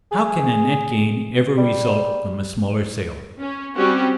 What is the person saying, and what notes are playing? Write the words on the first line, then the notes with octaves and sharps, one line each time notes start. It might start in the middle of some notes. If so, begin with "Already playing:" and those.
How can a net gain ever result from a smaller sale?
G#4
G3
C#4
G3 C4 C#4 F#4 G4